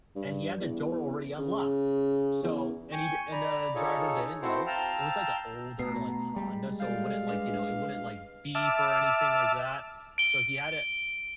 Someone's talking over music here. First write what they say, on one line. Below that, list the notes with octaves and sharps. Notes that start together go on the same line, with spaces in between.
and he had the door already unlocked. So and he'd and the driver didn't know, it was, like, a older, like, Honda, so it wouldn't, like, you know, it wouldn't, like, beep or anything like that. So he had a
G2
E2
C#3
E2
G5 G#5 C#6
D5 A#5 B5
D#4 F4 G#4 A4 C#5
C4 E4 F#4 A4 C5
F5 G5 A5 A#5 E6
B2 A3 A#5
G3 G#3
G4 A4 D5 F5
D4 B4
E5 A5 D6 E6 F6
D7 G7